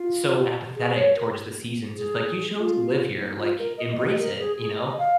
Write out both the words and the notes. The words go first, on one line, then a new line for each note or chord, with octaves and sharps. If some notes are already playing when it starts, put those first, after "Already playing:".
so apathetic towards the seasons. It's, like, "You chose to live here, like, embrace it," you know?
Already playing: F4
G#4
C#5
A#4
G#4
G#4
F4
D#4
F4
A#4
D#5
D#5
A#4
G#4
G#4
D#5
F5